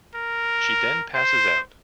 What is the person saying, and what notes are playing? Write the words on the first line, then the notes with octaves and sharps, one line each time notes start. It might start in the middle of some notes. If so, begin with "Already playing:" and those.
She then passes out.
A#4
C5